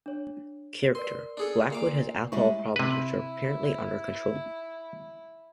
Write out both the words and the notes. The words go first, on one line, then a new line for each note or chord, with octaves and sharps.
Character: Blackwood has alcohol problems which are apparently under control.
D4 C#5
A#4 B4 D5 C6
D4 G#4 A4
A#2 F5 D6
G3 G#3 E4 C#6
C3 E4 B4